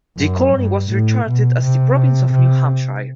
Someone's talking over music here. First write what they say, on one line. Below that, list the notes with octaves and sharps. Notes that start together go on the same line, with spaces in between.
The colony was recharted as the Province of New Hampshire.
F#2
G2
A2
B2
C3
C3